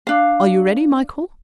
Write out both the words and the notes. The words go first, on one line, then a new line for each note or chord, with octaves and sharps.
"Are you ready, Michael?"
D4 F5